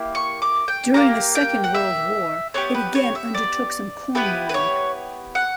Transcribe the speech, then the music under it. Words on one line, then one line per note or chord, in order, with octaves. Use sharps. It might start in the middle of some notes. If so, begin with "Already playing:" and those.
During the Second World War it again undertook some corn milling.
Already playing: A#3 E4 G4
C#6
D6
G5
A#3 C#4 G4 A#5
G5
F#5
E5
B3 D4 G4 C#5
B4
C#5
E5
D5
B3 E4 G4 B4
B4
C#5
F#5